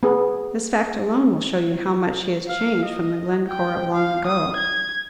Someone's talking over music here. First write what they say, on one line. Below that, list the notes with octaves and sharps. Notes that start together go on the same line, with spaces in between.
This fact alone will show you how much he is changed from the Glencore of long ago.
B3 G#4
F5
D#5
G5
F5
D#6
G#6